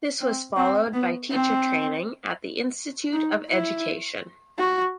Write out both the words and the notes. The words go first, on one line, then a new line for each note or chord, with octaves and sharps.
This was followed by teacher training at the Institute of Education.
C4
C4
B3
C4
D#4
E4
F#4